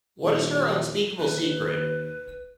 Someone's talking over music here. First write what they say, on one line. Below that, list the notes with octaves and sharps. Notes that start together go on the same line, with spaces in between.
What is her unspeakable secret?
D#1
D#2 B4